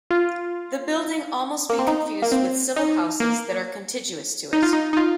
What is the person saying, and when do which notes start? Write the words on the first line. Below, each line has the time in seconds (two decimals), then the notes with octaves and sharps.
The building almost be confused with civil houses that are contiguous to it.
0.11 F4
1.70 A#3
1.79 C4
1.87 D#4
2.22 A#3
2.32 C4
2.76 D#4
3.20 A#3
4.53 D#4
4.63 F4
4.73 D#4
4.93 D#4
4.97 F4